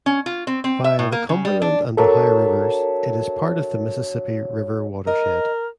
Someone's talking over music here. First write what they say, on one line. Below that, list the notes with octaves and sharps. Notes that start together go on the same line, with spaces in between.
Via the Cumberland and Ohio rivers, it is part of the Mississippi River watershed.
C#4
F4
C4
C4
E5
A2
A#3
C#3
G3
D4
F#3 D4 A4 A#4 E5
A#4 D#5